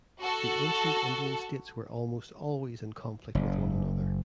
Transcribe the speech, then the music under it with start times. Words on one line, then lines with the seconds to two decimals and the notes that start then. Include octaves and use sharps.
The ancient Indian states were almost always in conflict with one another.
0.22 F#4 A4
3.35 F#1